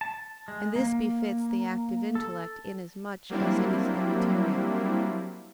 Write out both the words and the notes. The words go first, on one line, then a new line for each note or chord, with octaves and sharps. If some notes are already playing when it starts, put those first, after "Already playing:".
And this befits the active intellect inasmuch as it is immaterial.
A5
G#3
A#3
A4
F#3 G3 A#3 C4 D4 E4